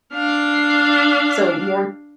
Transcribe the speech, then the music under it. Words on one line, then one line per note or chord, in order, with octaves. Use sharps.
So, more
D4 F5